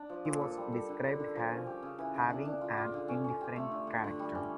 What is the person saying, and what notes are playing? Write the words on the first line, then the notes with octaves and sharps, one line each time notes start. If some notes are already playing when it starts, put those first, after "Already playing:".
He was described as having an indifferent character.
Already playing: D4
F3
A#2
A4
G3
A4
D3
D3
D3
F3
C#4
G4
C#3
E3
C#3
D4
D4
F4
F4
D3
C#4
C#4
G4
A3
D3
D3
D3
G3
C#4